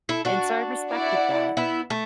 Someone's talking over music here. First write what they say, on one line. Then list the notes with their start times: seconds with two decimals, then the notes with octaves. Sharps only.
and so I respected that,
0.09 E4 A4
0.25 D4 F#4
0.92 E4 D5 F#5
1.57 B3 E4
1.90 A3